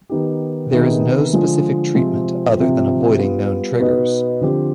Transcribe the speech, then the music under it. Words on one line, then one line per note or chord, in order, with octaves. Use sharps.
There is no specific treatment, other than avoiding known triggers.
D#3 B3 D#4 G4
C3 D#3 B3 D#4 G#4
D3 F3 G#3
C3 F3 G#3 C4
C3 F3 C4
G3 B3 F4
B2 B3 D#4 B4 D#5
D3 F3 C4 G4